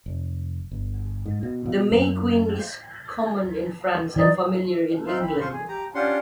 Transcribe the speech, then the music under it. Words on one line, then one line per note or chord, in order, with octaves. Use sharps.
The May Queen is common in France and familiar in England.
F1
G1
G#2
B2
B2
F#2
E3 D#4 D5
C4 D#4 F4 E5 C6
B5
F4 C5 C6 C#6
G#4
G4 A#5
C#4 D4 F4 G4 F#5 C6